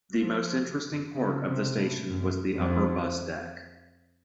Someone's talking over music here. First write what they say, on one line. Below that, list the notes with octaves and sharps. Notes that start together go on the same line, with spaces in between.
The most interesting part of the station was the upper bus deck.
F3
C#3
C3
A2
F#2
F2